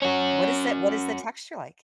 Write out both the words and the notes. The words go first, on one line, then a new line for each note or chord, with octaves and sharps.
What is tha what is the texture like?
C#4 F#4